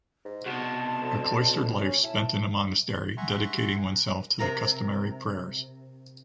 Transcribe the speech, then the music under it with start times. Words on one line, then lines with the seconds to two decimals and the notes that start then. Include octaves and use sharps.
A cloistered life spent in a monastery dedicating oneself to the customary prayers.
0.25 G#2
0.46 C2 B2 F#4 D#5 A5 C6
1.02 D2
1.83 C#4
2.03 E4 A5
3.17 E5 F#5 G#5 A#5 C6 C#6
4.39 C3 A#4 A#5